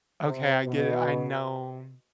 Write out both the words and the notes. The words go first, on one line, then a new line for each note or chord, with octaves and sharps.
"Okay, I get it, I know.
C3
B2